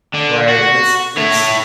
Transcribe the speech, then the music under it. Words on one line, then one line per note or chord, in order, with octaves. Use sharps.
Right. It's it's
D3
F#4
E4 C#5